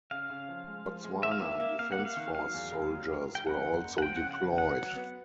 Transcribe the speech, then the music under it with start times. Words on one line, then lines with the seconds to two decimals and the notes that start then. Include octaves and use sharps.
Botswana Defence Force soldiers were also deployed.
0.11 C#3 F5
0.30 C#3
0.49 F3
0.67 G#3
0.85 F3
1.04 G#3
1.23 D#3 E5
1.32 F5
1.41 A#3 E5
1.60 A#3
1.79 A#3 F5
1.92 F#5
1.98 A#3
2.05 F5
2.17 D#3
2.34 F#3 F5
2.54 E2
2.72 E1
2.91 F#3
3.10 E1
3.29 E1
3.35 G5
3.47 F2 F#5
3.65 F#1
3.84 F#1
3.98 F#5
4.02 F3 G5
4.16 C#3 F#5
4.31 F#5
4.40 C#3
4.58 B3 F#5
4.77 F#3
4.96 B3